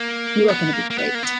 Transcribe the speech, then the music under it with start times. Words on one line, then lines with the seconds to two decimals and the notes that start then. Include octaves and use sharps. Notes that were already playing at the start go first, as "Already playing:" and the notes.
You are going to be great.
Already playing: A#3
0.48 B3
0.73 A#3
0.90 A#3
0.98 B3
1.15 A#3
1.23 B3